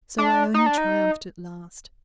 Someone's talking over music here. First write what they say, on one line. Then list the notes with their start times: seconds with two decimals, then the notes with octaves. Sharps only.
So Ione triumphed at last.
0.18 D4
0.54 D#4
0.66 D4
0.78 D#4